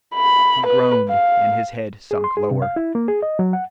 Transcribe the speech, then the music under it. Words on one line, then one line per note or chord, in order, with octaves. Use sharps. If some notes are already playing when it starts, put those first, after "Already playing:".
He groaned and his head sunk lower.
B5
B4
F5
G#4
C6
G#4
C3
F5
E4
A#3
G#4
D#5
F#3
F#5